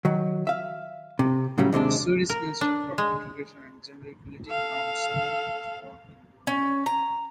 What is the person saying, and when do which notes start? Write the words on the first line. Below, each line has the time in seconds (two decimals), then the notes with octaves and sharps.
The Swedish Minister for Integration and Gender Equality, Nyamko Sabuni, was born in Burundi.
0.05 D#3 F#3
0.47 E5 F5
1.19 C3
1.58 A2 C#3 F#3 G3
1.72 D#2 C3 G#3 D4
2.30 A#4
2.61 D4
2.98 G#3
4.48 A4 F5
6.47 C#4
6.86 A#5